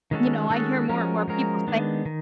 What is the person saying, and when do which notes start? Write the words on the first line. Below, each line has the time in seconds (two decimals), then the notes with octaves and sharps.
You know, I hear more and more people saying
0.11 D#3 G#3 C#4 F#4 A4
0.50 D#3 G#3 C#4 F#4 A4
0.89 F3 G#3 C#4 F#4 A#4
1.28 F3 G#3 C#4 F#4 A#4
1.67 D#3 G#3 B3 D4
2.06 D#3